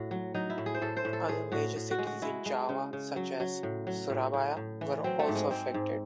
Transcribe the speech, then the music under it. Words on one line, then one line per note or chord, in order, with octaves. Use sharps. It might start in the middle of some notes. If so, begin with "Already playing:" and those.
Other major cities in Java, such as Surabaya, were also affected.
Already playing: A2 F#4
F#3
F#3 D#4
E4
A2
G#4
C5
A2 A4
C5
A2
A4
A2 G#4
A2 F#4
A2
F#4
G#3
F#4
G#3 E4
G#3
C#3
C#3
F#3
F#3
A2
F#3
A2
A2
A2
E3
F#3 C4
A3
G#2
G#3
G#2 C4
G#2